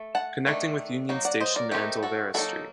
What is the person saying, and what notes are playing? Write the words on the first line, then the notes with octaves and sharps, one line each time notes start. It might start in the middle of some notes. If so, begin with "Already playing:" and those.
Connecting with Union Station and Olvera Street.
Already playing: A3
F#5 A5
D#3 A3 D4
F#3 A#3 D#4
D5 F#5
C5 D#5
A#4 D5
A3 C4 D#4 G4 A#4
F#4 A4
F#3 A#3 D#4 F#4 A4